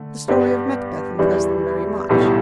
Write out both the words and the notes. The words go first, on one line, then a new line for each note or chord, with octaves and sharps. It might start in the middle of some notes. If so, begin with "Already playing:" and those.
The story of Macbeth impressed them very much.
Already playing: D3 A3
G2 G3 B3 D4 G4
E2 E3 G3 D4
B1 A2 E3 G3 B3